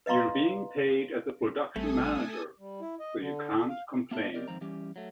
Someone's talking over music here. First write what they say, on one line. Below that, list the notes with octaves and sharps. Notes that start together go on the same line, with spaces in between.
You're being paid as a production manager, so you can't complain.
B4 D#5 F5 A#5 C6
A1 G3 A3 C4 C#4 A4 G#5 D#6
G3
E4
D#5
D3
A4
F5
A#3 B3 F4 E5 A5
F#3 C4 G4 A#4 D5 D#5
G#2 D#3 F3 C4 A#5
E3 G3 C#4 G4
F#3 A3